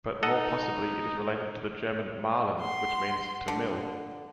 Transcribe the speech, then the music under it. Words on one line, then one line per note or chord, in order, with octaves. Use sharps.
But more possibly it is related to the German "mahlen" which means "to mill".
D#4 A4 D#5 F#5
F#5 C6
D3